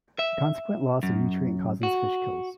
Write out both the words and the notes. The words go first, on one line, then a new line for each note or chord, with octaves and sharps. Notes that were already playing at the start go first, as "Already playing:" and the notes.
The consequent loss of nutrient causes fish kills.
E5
F#2
F#4